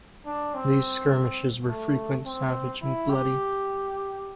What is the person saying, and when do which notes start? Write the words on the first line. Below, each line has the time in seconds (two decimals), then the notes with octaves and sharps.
These skirmishes were frequent savage and bloody.
0.26 D4
0.54 C4
1.67 A3
2.25 C4
2.82 E4
3.10 G4